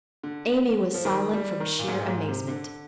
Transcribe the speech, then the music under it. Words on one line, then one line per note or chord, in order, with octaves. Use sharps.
Amy was silent from sheer amazement.
D3
F3
D#3
G3
D#3
A#2
G#2
A#2
G#2
C3
D3